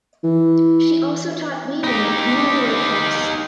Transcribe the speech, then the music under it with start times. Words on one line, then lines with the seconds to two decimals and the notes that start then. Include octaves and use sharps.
She also taught weaving in community workshops.
0.23 E3
1.84 D#4 G4